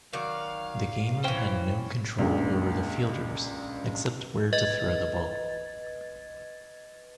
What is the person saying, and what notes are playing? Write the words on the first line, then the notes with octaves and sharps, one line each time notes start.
The gamer had no control over the fielders, except where to throw the ball.
D#3 F#3 D5 F5
E3 C#4 C5 G5
C#2 G2 A#2
B4 D#5 G#6 A6